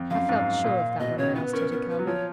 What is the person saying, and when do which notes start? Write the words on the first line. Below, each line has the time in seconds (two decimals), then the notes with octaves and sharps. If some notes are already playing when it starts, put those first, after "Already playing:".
I felt sure of that when I asked her to come.
Already playing: F2
0.10 F#2 F5
0.29 G#2
0.64 A#2
0.99 B2 D#5
1.18 C#3 C#5
1.35 B3 B4
1.53 C#4 A#4
1.72 B3 A#4
1.89 B4
1.99 F#3
2.06 F3 C#5